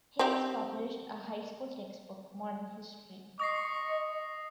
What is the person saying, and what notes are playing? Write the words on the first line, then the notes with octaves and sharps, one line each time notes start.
Hayes published a high school textbook, Modern History.
C4 G4
D#5 C#6 D#6 A#6 C7